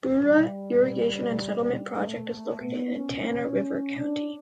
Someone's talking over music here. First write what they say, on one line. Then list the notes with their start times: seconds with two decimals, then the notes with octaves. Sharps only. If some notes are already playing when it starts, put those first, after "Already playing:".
Bura Irrigation and Settlement Project is located in Tana River County.
0.22 G3
1.92 A3
2.60 B3
2.95 C#4
3.28 C#4
3.97 D4